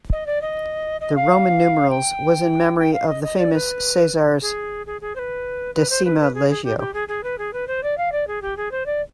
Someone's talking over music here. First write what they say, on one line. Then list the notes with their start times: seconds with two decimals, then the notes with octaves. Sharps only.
The roman numerals was in memory of the famous Caesar's Decima Legio.
0.12 D#5
0.26 D5
0.41 D#5
1.01 D#5
1.15 F5
1.90 G5
2.79 G5
2.93 F5
3.08 D#5
3.23 D#5
3.38 D5
3.53 B4
4.41 G#4
4.86 G#4
5.01 G#4
5.15 C5
5.19 B4
5.75 B4
5.90 C5
6.05 B4
6.20 B4
6.34 G#4
6.49 G#4
6.64 G4
6.78 G4
6.93 G#4
7.08 G#4
7.23 B4
7.38 G#4
7.53 B4
7.67 C5
7.83 D5
7.97 F5
8.12 D5
8.27 G#4
8.42 G4
8.57 G#4
8.71 C5
8.86 D5